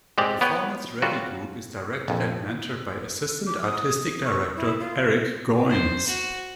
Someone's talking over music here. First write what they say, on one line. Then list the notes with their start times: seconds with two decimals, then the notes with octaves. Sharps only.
The Performance Ready Group is directed and mentored by Assistant Artistic Director, Eric Goins.
0.18 G#3 C4 G4 D5
0.41 B3 C#5 F#5 G5
1.02 F#3 G3 F4 F#4
2.08 A#1 F2
3.47 D6
3.62 D#6
4.25 C#6
4.56 E4
4.80 F4
5.70 C5
6.07 F#4